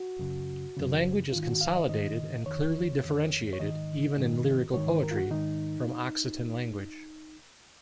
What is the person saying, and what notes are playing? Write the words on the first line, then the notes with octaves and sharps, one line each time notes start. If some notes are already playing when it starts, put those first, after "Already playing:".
The language is consolidated and clearly differenciated, even in lyrical poetry, from Occitan language.
Already playing: F#4
F#2 C#3
F#2 C#3
G#2 D#3 F4
F4
F#4
F5
D#5
G#2 D#3 D#5
F2 D#3 C#5
F2 D#3
C#5
G#2 D#3 D#5
G#2 D#3
G#2 D#3 C#5
C5
A#4
F4
F#4
G#2 D#3 D#4